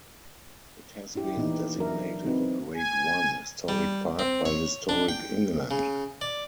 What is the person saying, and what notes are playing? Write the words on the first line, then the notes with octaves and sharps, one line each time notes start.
It has been designated a Grade One Historic Park by Historic England.
D4 E4 G4
A#2 E3 B3 D#4
F#3 D4 A#4 E5
C4 D#4 F#4 B4
G#5
G3
C4
C#5
D4
G5
C#3
D5